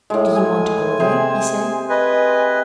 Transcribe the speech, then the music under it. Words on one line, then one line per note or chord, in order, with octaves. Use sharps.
"Do you want to go there?" he said.
A2 G#3
G#5
C3 G#4 C5
B4 D#5 G#5